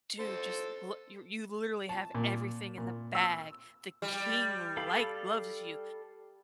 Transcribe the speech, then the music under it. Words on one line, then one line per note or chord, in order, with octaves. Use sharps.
"Dude, just lo you you've literally have everything in the bag, the king, like loves you,
A4 C5
A5
A#2
A#2
E6
G3
A4 F5 B5